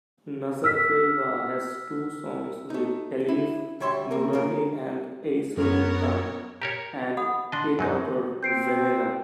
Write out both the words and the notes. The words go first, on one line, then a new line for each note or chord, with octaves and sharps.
Nazarbayeva has two sons with Aliyev, Nurali and Aisoultan, and a daughter Venera.
E6 F6 B6
A3 D#4
E4
D2 G3 C#5 E5 C6
A3 A#3 A#4
C#3 A#3 A#4
F#2 B3 A#4 C#5
G4 A#4 C#5 A#5
F#5 B5 D#6
D4 D#5 A5 C6
F#2 F#3 D#4
C4 G6 C7 D7